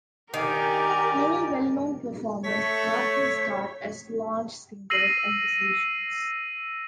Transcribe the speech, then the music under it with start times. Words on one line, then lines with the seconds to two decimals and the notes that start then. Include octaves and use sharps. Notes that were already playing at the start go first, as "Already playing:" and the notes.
Many well known performers got their start as lounge singers and musicians.
0.34 D#3 G4 A#4 D5 G#5
2.44 A3 C#5 B6
4.90 E6 A#6 C7 D#7 F#7